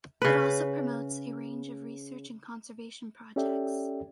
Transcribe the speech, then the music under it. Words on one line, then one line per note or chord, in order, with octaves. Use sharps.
It also promotes a range of research and conservation projects.
C#3 B4
C#4 G4 A4 D5 E5 G5